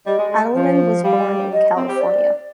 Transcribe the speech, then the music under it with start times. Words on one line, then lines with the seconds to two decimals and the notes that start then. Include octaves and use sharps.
Adleman was born in California.
0.06 G3 D#5
0.18 G#3
0.31 G#3
0.56 F3
1.04 G3 F5
1.53 D#5
1.76 C4
1.88 G4
1.96 C5
2.01 D5